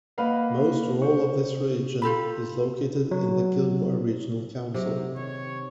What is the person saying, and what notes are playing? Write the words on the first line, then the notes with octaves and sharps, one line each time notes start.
Most or all of this region is located in the Gilboa Regional Council.
A#3 A#4 B4 D#5 F5 F#5
C5 C#6
F4 G4 A4 B5
F#3
C3 F#3 G#4 A#4
D#3 C#5